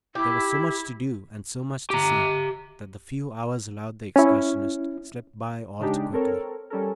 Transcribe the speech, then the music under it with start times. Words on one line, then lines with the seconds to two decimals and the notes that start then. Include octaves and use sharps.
There was so much to do and so much to see that the few hours allowed the excursionists slipped by all too quickly.
0.15 E4 G4
1.90 G4 A#5
4.16 C#4 E4
5.80 C#3 G#3 D4 D#4 G4
6.13 C4 A4 A#4 C#5
6.70 G3 C#4 A4 A#4